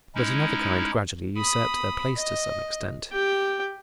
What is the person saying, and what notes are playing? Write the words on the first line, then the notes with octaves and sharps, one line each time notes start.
But another kind gradually usurped their place to some extent.
G#3 C#4 D#4 E4
B5 D#6
D#5
G4 G5